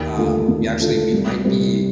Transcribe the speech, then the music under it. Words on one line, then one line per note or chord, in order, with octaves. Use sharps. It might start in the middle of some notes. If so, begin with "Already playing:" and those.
um, we actually we might be
Already playing: D#2
D3 A3 D4 F4
D#2
D3 A3 D4 F4
C2
C3 G3 C4 G4